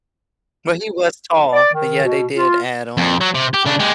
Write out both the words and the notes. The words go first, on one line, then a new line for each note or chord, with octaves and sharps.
but he was tall, but, yeah, they did add on
D5
D#3
B2
F4
F2
F#3
C3
G4
C#3 D4
G#3 G4